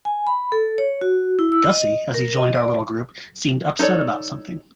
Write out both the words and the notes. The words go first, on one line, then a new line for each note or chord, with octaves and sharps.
Gussie, as he joined our little group, seemed upset about something.
G#5
B5
A4
C#5
F#4
E4
E6
D#5
A#4
D#5
D5
D#4 A4 B4 C#5 D5